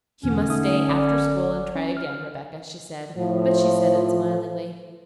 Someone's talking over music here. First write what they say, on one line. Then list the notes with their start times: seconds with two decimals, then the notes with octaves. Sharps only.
"You must stay after school and try again, Rebecca," she said, but she said it smilingly.
0.23 E2 B2 D3 E3 C#4
0.48 A3 D#4 D#6
0.87 G#1 D5 D6
1.75 C#4
1.97 F6
3.17 A2 F3